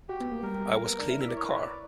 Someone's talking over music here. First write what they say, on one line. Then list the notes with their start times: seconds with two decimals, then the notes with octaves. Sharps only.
I was cleaning the car.
0.09 F#4 G4
0.21 B3
0.31 A#3
0.43 G3 A#4
0.59 G3
0.77 A#3
0.88 B3
0.99 D4
1.10 E4
1.20 E5
1.28 D5
1.36 C#5
1.44 B4
1.54 C#5
1.61 D5